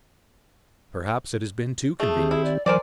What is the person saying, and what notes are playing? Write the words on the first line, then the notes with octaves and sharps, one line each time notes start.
Perhaps it has been too convenient.
A3 G#4
D#3 C4 G4
E4
D5
E3 F#3 A#4 C5 D5 G#5